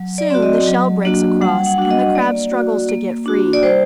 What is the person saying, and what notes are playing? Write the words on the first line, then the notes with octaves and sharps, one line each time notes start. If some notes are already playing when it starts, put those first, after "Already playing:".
Soon the shell breaks across, and the Crab struggles to get free.
Already playing: F#3
D5
C4 F#4
D#5
F#3
A#3 D4 F#4
G3 F#5
F#5
D4 F#4 F#5
D#5
A#3 D5
F#4
A#3
D4 F#4
D5
G3 C5